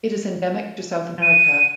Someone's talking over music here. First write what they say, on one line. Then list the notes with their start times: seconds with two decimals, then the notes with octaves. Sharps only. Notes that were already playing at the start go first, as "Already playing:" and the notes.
It is endemic to South America.
1.22 D#7